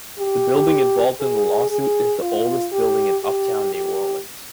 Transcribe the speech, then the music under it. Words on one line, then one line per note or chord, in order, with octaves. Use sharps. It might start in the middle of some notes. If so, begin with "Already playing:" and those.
The building involved in the lawsuit is the oldest building in Uptown New Orleans.
G4
G#4
G#4
F4
G4
G4
G4